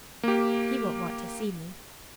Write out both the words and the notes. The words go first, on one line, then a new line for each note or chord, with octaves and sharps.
He won't want to see me.
A#3 G4